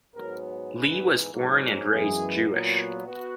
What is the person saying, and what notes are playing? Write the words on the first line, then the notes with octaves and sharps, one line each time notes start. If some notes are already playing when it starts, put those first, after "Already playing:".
Lee was born and raised Jewish.
G#2 F#3 B3 A#4
G#2 E3 B3 B4
G#2 F#3 A#3
F#2 E3 G#3 B3 G#4
A#2 F#3 B3
B3 F#4